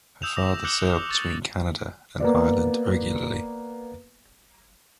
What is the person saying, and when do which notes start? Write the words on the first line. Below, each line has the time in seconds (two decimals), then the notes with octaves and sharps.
Her father sailed between Canada and Ireland regularly.
0.22 D#6 E6 G6 E7 F7
0.36 D6 A#6
0.64 D6 F#6 G6 C#7 F#7 G7
1.09 C#6 D#6 A6
2.20 A#3 B3 D5